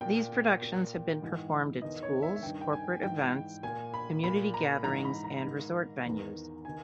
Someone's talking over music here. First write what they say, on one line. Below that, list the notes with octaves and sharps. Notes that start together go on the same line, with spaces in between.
These productions have been performed at schools, corporate events, community gatherings, and resort venues.
A#2 G5
A#2
G#2 E3
E2 D#3 D#5
C#5
E5
E5
G2 D#3 G5
G5
G#5
G#2 E3 G5
A#2 G#5
B5
A#2 B5
A#5
G#2 E3 A#5
B5
A#5
G#2 D#3
E2 D#3
D#3 G#5